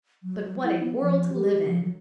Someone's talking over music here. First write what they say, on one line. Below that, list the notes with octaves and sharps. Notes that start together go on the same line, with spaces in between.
But what a world to live in!
F#3
E4
B3
F3
G4
F3
F#3